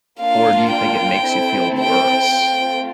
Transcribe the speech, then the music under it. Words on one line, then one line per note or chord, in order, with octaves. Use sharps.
or do you think it makes you feel worse?
A#3 D4 F4 A#4 F5
G5
C4 E4 A4
G5
A3 C4 F4